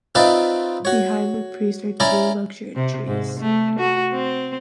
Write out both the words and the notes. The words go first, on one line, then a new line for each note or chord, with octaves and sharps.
Behind the priest are two luxuriant trees.
C4 D#4 F4 B4 D5 E5
F#4 C#5
C#4 E4 D5 A#5
C3
G#2
A3
F#4
C4